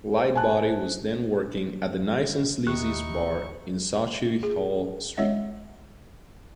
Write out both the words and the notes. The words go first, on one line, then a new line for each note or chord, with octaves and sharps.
Lightbody was then working at the Nice n Sleazy's Bar in Sauchiehall Street.
C5
G#5 A5 F#6
D#2 D#4 E4 G4 C#6 F#6
G#4
G#3 C#5 D#5 E5 F#5